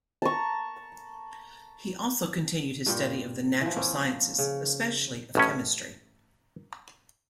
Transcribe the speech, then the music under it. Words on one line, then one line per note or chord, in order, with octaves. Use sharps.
He also continued his study of the natural sciences, especially of chemistry.
A5 A#5 C#6
G2 A#2 G5
E3 F3
A#3 C4 C#4
C#3
A1 A2 C#4